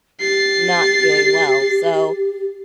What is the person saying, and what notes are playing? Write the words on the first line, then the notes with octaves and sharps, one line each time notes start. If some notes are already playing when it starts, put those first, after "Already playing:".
not doing well, so
G4 A6 C7